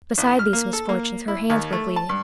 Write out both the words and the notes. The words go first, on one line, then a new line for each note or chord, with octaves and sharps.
Beside these misfortunes her hands were bleeding.
A1
F6
A#3
A4
A#3
E4
D#2
A3
A5
G2